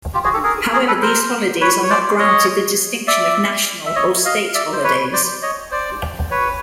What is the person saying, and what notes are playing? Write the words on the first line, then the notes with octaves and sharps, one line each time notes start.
However, these holidays are not granted the distinction of national or state holidays.
F4 G4
F#4 G#4
G4 A4
G#4 A#4
G#4 A#4
A4 B4
A#4 C5
B4 C#5
C#5
C5 D5
C#5 D#5
D5 E5
E5
C#5 D#5
D#5 F5
D5 E5
C5
B4 C#5
C5 D5
C#5 D#5
C5 D5
B4 C#5